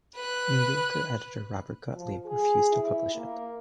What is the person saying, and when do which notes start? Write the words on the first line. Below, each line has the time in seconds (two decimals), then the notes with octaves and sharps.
New Yorker editor Robert Gottlieb refused to publish it.
0.16 B4 F#6
1.95 F3
2.25 G#4
2.73 E4
3.15 A#3